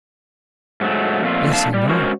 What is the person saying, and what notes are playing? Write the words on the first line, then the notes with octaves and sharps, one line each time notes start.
"Yes, I know."
G#2 F#3 A3
F2 A#2 A3 F4
F2 A3 A#3 D4 F5 A5
G3
G#3 C#4 F#4 A#4 C5 C#5